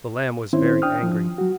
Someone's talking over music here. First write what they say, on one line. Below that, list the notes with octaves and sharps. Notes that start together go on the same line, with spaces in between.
The lamb was very angry.
D#3 C4 C#4 E4 C5
D4 G5 D#6 F6
F3
F#3 F#4